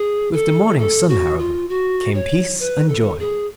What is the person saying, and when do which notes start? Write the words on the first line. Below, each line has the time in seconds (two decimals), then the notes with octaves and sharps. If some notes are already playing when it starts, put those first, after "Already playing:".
With the morning sun, however, came peace and joy.
Already playing: G#4
0.34 A4
0.79 A4
1.09 F#4
1.39 F4
1.69 F#4
2.14 C#5
2.60 B4
2.89 A4
3.19 G#4